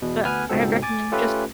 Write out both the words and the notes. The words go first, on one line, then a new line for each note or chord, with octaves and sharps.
But I would recommend just
E2 B2
D2 B3 B4 G#5 F6 G#6
C#2 G#2 B2 C4 A4
G#5 D6 A6
A3 C#4 F4 G4 A4 B4